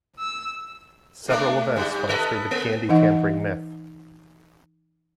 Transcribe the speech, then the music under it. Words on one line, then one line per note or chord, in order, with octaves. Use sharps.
Several events fostered the candy tampering myth.
E6
G#3 A3 D4
G#2 G3
A4 B4 D#5
A#3
E3 D#4 D#5 F#5